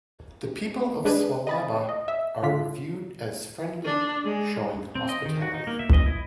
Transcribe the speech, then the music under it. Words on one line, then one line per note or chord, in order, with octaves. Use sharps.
The people of Swalaba are viewed as friendly, showing hospitality.
G#3 D4 G#4 B4
D#5 B5 A6
D#5
E5
D3 F4 B6
D4
G#3
C4
D#5
D#3
F#4
D#4
A#3
E5
D#5
E4